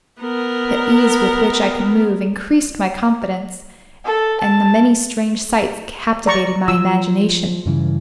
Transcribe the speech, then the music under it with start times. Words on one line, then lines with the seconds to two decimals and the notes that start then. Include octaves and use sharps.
The ease with which I could move increased my confidence, and the many strange sights captivated my imagination.
0.21 B3 A#4
4.05 A4
4.40 A5
6.26 D5 A#5 C#6
6.68 F3 E6
7.66 G2 C#3 E3